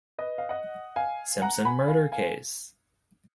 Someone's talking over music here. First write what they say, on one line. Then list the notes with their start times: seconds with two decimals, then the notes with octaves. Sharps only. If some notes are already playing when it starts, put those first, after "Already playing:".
Simpson murder case.
0.18 B4 D#5
0.38 F5
0.49 D#5 F#5
0.96 F5 G#5
1.42 F#5 A#5
1.65 G#5 B5
1.88 F5 G#5
2.12 F5 G#5